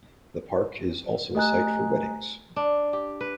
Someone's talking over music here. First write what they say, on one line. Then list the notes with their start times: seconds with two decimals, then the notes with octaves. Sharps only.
The park is also a site for weddings.
1.35 A3 G4 D#5 G#5 A#5 F#6
2.56 D4
2.93 G4
3.21 B4